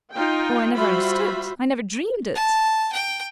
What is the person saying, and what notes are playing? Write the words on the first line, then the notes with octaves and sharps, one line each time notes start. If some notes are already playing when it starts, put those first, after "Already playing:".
Oh, I never understood--I never dreamed it!
D#4 F4 G5
G3 F4 F#4 C5 E5 B5
A5
G5